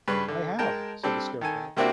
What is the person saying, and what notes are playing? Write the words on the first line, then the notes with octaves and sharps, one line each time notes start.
"I have," said the Scarecrow.
G2 C#3 B4
D3
G#3 A#4 G5 A5
G3 C4 D4 A4
D#3 A4 G#5
C3 A#3 C4 D4 E4 F#4